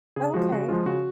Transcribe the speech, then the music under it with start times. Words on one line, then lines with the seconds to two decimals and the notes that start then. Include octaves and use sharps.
Oh, okay
0.16 C#3 G#4
0.34 F3 G#3 F#4
0.52 C#3 F#4
0.68 F3 G#3 F4
0.86 C#3 F#4